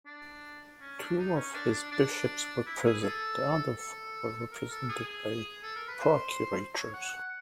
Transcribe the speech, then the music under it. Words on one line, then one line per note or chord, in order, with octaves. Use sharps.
Two of his bishops were present, the other four were represented by procurators.
D4
C#4
D4
D#4
C#4
D4
D4
D4
E4
G#4
A4
A4
A#4
A4
G#4
A4
A#4
B4
C5
C#5
F#5
F#5